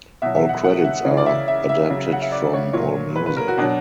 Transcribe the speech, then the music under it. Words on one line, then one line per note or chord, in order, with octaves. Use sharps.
All credits are adapted from Allmusic.
B2 F#3 E5
E5
F#5
F#5
E5
C#3 E3
D5
E5
E5
E5
C#3 F#3
F#5
E5
D5
C#5
A#2 F#3 C#5
B4
B4
A#4
F#4
B2 F#3 D4